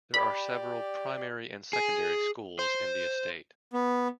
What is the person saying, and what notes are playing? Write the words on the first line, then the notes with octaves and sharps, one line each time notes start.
There are several primary and secondary schools in the estate.
G4 D5 B5
G#4
C5
B3